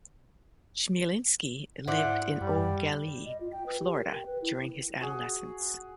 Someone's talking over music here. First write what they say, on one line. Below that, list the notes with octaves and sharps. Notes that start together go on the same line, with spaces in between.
Chmielinski lived in Eau Gallie, Florida during his adolescence.
G#2 E4 C5 D5 F#5
F#2 G3
D#5
F4
G5
B4
G4
A#4
G5
B4
E4
F#4 G#4